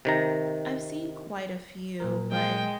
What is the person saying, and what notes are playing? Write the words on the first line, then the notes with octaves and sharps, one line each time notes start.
I've seen quite a few, but,
C3 D#3 A#5
A#2 F#3 A#4
G#3 G5